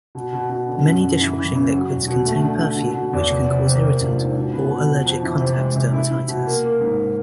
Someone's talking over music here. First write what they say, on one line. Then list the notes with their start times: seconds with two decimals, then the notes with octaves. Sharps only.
Many dishwashing liquids contain perfume which can cause irritant or allergic contact dermatitis.
0.15 B2
0.32 B2
0.49 B2
0.67 D3
0.85 F#2
1.02 F#2
1.20 E3
1.37 E3
1.55 C#3
1.73 F#3
1.90 E1
2.07 B2
2.25 A3
2.42 D3
2.60 D3
2.78 B2
2.95 B2
3.13 E2
3.30 F1
3.48 C3
3.65 C3
3.83 A#3
4.00 A#1
4.18 G#2
4.35 B2
4.53 B3
4.70 B2
4.88 F2
5.06 F2
5.23 E3
5.41 C3
5.58 G#3
5.76 C3
5.93 E4
6.11 E4
6.28 B2
6.45 A#3
6.63 A#3
6.80 G#2